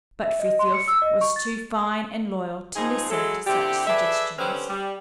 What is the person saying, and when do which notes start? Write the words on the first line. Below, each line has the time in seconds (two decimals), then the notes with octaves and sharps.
But Frithiof was too fine and loyal to listen to such suggestions.
0.23 E5
0.40 D#5
0.59 C6
0.74 C#7
0.88 E6
1.02 D#5
1.21 C#6
1.36 A6
2.75 C#3 F3 C4 D#4 G#4
3.10 F#3 G#3 E4 A4
3.47 D3 C4 E4 G4
3.88 G#4 A4 B4 D5 E5
4.38 D3 G3 C4 C#4 B4 C5
4.69 G3